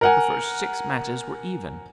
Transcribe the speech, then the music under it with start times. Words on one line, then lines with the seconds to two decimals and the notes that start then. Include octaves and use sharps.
The first six matches were even.
0.01 A#4 F#5 G#5